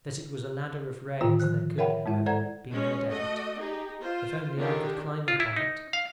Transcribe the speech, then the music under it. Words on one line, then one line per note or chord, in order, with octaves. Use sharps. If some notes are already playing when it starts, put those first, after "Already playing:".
That it was a ladder of rays there could, however, be no doubt: if only I could climb upon it!
A2 D3 D#3 F4 C5 G5
F3 C5 F#6
A#4 C#5 E5 F#5 G5 B5
G#2 G#3 E4 E5
A4 C5 D5 F#5 A#5 G#6
G#3 C#4 C#5
A3 F#4 D#5
D#4 G4 G#4
F4 C5
D3 D#3 D4 G4 G#4
F4
E4
D#4
F5